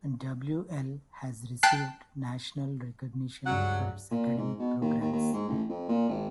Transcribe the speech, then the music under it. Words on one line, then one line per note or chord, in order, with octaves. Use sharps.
W-L has received national recognition for its academic programs.
G5 A5 F#6 C7
C#2 G2 F#3 F#5
A#2
G#2
B2
D#2
D#2
D#2
G#2
A1
F2
A#2
G#1